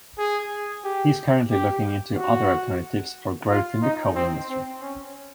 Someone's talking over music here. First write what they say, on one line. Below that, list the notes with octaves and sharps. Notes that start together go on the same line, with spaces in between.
He is currently looking into other alternatives for growth in the coal industry.
G#4
G4
G4
F#4
F4
D#4
C4
C4
C#4